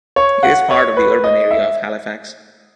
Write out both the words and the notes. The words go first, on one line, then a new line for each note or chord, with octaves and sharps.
It is part of the urban area of Halifax.
C#5
F#5
C#5
B4
D#5
E5